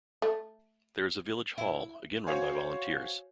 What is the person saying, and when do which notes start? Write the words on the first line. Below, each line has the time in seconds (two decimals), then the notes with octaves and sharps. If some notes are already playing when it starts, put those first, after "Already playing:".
There is a Village Hall, again run by volunteers.
0.22 A3
1.58 E4
2.27 F#4 C5 C#5 F5 G#5